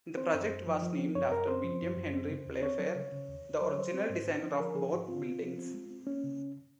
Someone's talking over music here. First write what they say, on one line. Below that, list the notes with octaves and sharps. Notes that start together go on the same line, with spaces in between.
The project was named after William Henry Playfair, the original designer of both buildings.
C4 C5
F#2
F#2
F3
F3
C4
F#2 C#5
F#2 A#4
C4 C5
F3
F#2
F#2
C4
C#3
D#2
C4 C#5
F#3
C#3
C#3
D#2
D#2
F#3 C5
C#5
F#3 C5
C4
G#2
C4
F3
F3 A#4
F3 G#4
G#2 F#4
C4 F4
C4
F3
C4
G#3
C4
A#3 C#4
C#3